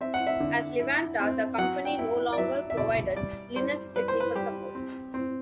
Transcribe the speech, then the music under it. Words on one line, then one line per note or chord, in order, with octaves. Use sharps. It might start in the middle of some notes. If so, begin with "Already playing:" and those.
As Levanta, the company no longer provided Linux technical support.
C4 E5
F#5
E5
D3
E4
C4
F#3 F#5
G5
E4
D5
F#3 E5
E5
B2 D5
G3 D5
G3 C5
G3 B4
C5
B4
G3 G4
C4
C4